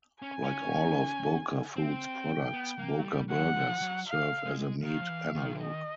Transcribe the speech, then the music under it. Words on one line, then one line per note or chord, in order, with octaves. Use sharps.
Like all of Boca Foods' products, Boca Burgers serve as a meat analogue.
C#4 G#5
C#4
C4 G5
B3
A#3
F#3
G3
F#3 F#5
F3
F#3
F5
G#3
D#3 F5
F3
E3
D#3
D3
D#3 D#5